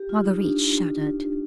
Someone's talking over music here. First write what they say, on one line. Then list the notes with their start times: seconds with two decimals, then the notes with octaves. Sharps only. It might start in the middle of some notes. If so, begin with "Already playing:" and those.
Marguerite shuddered.
Already playing: G4
0.09 F4
0.24 D#4
0.40 D4